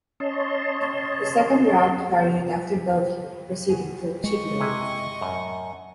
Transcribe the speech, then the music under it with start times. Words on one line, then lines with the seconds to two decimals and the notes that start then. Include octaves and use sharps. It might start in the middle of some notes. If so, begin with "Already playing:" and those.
The "second route" varied after Bellevue proceeding to Chidlow.
0.20 C#4 C#5 D#5 A5 C6
3.69 F#4 G#4
4.24 G#3 D#5 C#6
4.60 C3 E4 G#5
5.21 F#2 A2